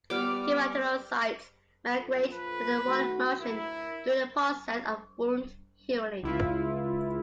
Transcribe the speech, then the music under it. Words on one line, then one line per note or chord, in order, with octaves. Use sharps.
Keratinocytes migrate with a rolling motion during the process of wound healing.
G3 B3 D6 F6
A#1 F3 A4
B4
D#3 A3 F#4
D2 E4 A#4
C#2 E4 F4